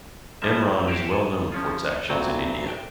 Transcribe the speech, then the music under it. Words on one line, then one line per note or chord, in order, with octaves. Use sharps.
Enron is well known for its actions in India.
F3 G3 A#3 E5
G4 A#4 C5 C#5 E5 F#5
G#4 A4
F3 C#4 F4
D2 G2 A#2 F#3 C4
G5